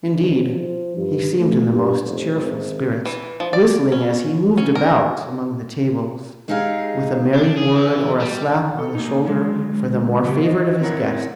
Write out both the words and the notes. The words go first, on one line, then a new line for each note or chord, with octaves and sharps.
Indeed, he seemed in the most cheerful spirits, whistling as he moved about among the tables, with a merry word or a slap on the shoulder for the more favoured of his guests.
D#1
F3
G2
A3
G2
F1
G#1
E3
F3
D5
C#4
C#4
A#4
G#3 C4 D#4 G4 G#4 F5
D4
G#4
E3
G3
A4
A#3 D#4
D3 F#3 G#3
C#3 F#3 B3 G4
C5 D#5
C4 E4 A#4 C#5 F#5